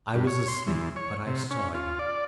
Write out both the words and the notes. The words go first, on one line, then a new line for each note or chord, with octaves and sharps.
I was asleep, but I saw you.
G2
C#5
C6
E2
C#5
C3
C#4
F4
D5